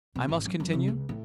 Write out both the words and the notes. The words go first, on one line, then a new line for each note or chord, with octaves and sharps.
I must continue?
B2
G#1
F#2
F#2
C3
C#2
A2